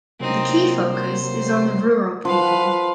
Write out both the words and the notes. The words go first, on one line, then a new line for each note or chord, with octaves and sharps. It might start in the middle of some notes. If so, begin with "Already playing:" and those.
The key focus is on the rural people.
C3 F#3 A#3 C4 D#4
C5
F3 B4 F5 F#5